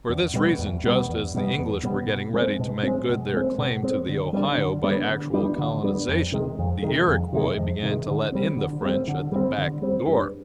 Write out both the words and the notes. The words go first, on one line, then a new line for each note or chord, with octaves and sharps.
For this reason, just as the English were getting ready to make good their claim to the Ohio by actual colonization, the Iroquois began to let in the French at the back door.
E2
B2 G3 B3
E2
B2 G3 B3
E2
B2 G3 B3
E2
B2 G3 B3
B2
G#3 C4
B2
G#3 C4
B2
G#3 C4
B2
G#3 C4
D3
G3 B3 D4
D3
G3 B3 D4
D3
G3 B3 D4
D3
G3 B3 D4
F2
C3 D#3 G#3
F2
C3 D#3 G#3
F2
C3 D#3 G#3
F2
C3 D#3 G#3
D3
G3 C4
D3
G3 C4
D3
G3 C4
D3
G3 C4
G2